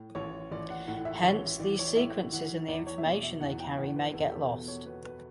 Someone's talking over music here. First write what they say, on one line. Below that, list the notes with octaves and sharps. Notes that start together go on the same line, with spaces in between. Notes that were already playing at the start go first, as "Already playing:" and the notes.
Hence, these sequences and the information they carry may get lost.
Already playing: A2
A1 C#5
A1 D5
F#5
A2 F#5
E5
A1 C#5
E3 D5
C#5
D5
A2 E5
E3 F#5
E2 D5
C#5
E5
B2 D5
E5
E2 F#5
G5
E2 F#5
B4
E2 A4
G4
A4
B2 B4
C#5
B2 B4
B4